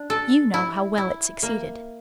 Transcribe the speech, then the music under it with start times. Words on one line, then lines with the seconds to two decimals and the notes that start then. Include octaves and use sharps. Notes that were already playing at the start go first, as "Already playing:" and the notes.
You know how well it succeeded--.
Already playing: D4
0.10 A4
0.54 E4
0.98 E4
1.43 A#3